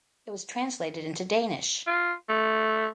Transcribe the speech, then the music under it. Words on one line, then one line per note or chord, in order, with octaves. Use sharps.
It was translated into Danish.
F4
A3